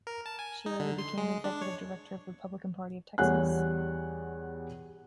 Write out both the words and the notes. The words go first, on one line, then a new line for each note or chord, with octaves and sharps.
She later became executive director of the Republican Party of Texas.
A#4
A5
G#5
D#4
D3
C6
G#3
D4
C#5
E2 G3 C#5 F#5 G#5 F#6